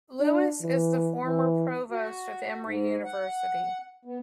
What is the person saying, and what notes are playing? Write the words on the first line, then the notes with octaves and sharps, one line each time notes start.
Lewis is the former Provost of Emory University.
D4
E3
E3
F#4
G#2
F#5
B3